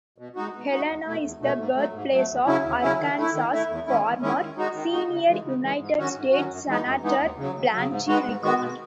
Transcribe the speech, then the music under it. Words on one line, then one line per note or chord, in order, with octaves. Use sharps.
Helena is the birthplace of Arkansas' former Senior United States Senator Blanche Lincoln.
B2
G#3 D#4 F#4
B2
G#3 D#4 F#4
E2
B2 A3
E2
B2 A3
G#2
F#3 A3
G#2
F#3 A3
D#2
C#3 F#3 C#4 E4
D#2
C#3 F#3 C#4 E4
D#3
A3 E4
D#3
A3 E4
E2
D#3 G#3 C#4 E4
E2
D#3 G#3 C#4 E4
D#3
G#3 D#4 F#4
D#3
G#3 D#4 F#4
C#3
E3 G#3
C#3
E3 G#3
G#2
D#3 F#3 C#4 F#4
G#2
D#3 F#3 C#4 F#4
F#2
E3 G#3 B3 D#4
F#2
E3 G#3 B3 D#4
D#2
C#3 F#3
D#2
C#3 F#3
G#2
D#3 G#3 B3 F#4
G#2
D#3 G#3 B3 F#4
B2